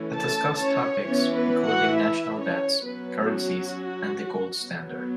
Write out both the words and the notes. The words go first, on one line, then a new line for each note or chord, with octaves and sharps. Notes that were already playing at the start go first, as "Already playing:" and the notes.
It discussed topics including national debts, currencies, and the gold standard.
Already playing: E3 A3 C#4
A4 A5
C#4 C#5
E3 B3 C#4 C#5
B3 B4
F#4 F#5
E4 E5
C#4 C#5
F#3 B3 C#4 B4
F#4
F#3 B3